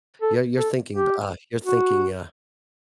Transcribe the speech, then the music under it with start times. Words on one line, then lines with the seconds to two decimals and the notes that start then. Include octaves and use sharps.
Yeah, you're thinking, uh you're thinking, uh
0.22 A4
0.58 A4
0.94 G4
1.65 F#4